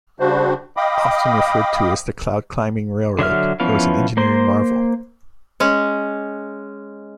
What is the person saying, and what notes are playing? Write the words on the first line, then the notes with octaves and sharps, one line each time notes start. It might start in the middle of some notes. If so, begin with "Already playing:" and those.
Often referred to as the "Cloud Climbing Railroad" it was an engineering marvel.
C#3 G3 D4 F#4 C5
D#5 F5 G5 B5 D6 D#6
D3 F#3 E5 F6
E3 F3 B3 C#4 F5
A#3 C5 C6
G#3 C#4